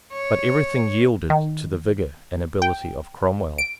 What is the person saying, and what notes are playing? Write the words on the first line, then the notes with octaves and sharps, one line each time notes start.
But everything yielded to the vigour and ability of Cromwell.
C#5
D#3
G5
D7